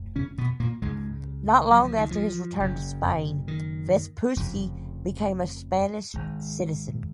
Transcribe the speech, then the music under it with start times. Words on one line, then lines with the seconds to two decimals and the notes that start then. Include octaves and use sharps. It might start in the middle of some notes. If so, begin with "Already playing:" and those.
Not long after his return to Spain, Vespucci became a Spanish citizen.
Already playing: F1 F2
0.16 C#3 C#4
0.38 B2 B3
0.60 A#2 A#3
0.82 C#2 G#2 C#3 G#3
1.71 F#3
1.84 F3
1.97 D#3
2.11 F3
2.60 F#1 F#2 C#3
3.48 D#3
4.36 F1 F2 C#3
6.14 G#1 G#2